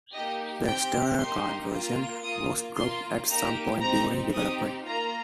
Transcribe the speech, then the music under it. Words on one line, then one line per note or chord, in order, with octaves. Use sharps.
The external card version was dropped at some point during development.
A#3 D#4 G4 D#5
C4 G4 G5
A#3 D#4 G4 C6
A#3 F4
A#3 F4 D#6
A#3 F4 C6
A#3 D#4 G4 A#5
C4 D#4 G4 A#5
C4 D#4 G4 D#6
A#3 F4 A#5